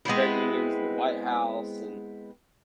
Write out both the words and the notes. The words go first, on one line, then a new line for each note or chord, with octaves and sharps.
credit unions and the White House, and
G#3 B3 C4 E4